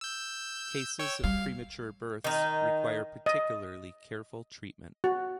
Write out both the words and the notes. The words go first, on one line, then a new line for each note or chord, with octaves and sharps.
Cases of premature births require particularly careful treatment.
E6 G6
C#5 G5 E6
G3 F5
D#3 D#4
D#5
F#4